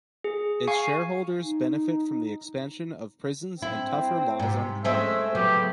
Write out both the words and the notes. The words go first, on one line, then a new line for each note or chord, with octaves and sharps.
Its shareholders benefit from the expansion of prisons and tougher laws on crime.
G#4
F5 G#5 C#6 C7
D#4
C4 E4
G#2 C3
G#3 A3 C4 C#4 E5
C#3 F#3 B3 G4